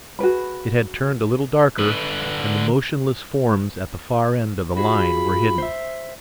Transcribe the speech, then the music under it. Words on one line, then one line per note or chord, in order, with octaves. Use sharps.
It had turned a little darker and the motionless forms at the far end of the line were hidden.
F#4 G#4 B4 B5
D3 B4
F4 F#4 G#4 B5
C5 E5